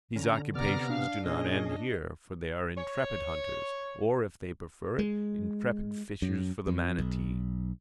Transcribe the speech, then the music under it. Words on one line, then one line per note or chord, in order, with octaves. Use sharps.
These occupations do not end here, for they are intrepid hunters, or, if they prefer it, intrepid fishers for the manatee.
D3 C#4 A#5
C3 B3 D5 A#5 F6
D4 F5
A#2 C#4 G#4 D#5
C#5
G#3
F#2
F2
B1